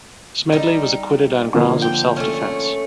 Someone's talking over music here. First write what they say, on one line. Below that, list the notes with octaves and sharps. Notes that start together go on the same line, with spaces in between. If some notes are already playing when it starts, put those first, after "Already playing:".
Smedley was acquitted on grounds of self-defence.
G3 D#4
D3 F3 A#3
G5
A3 C#4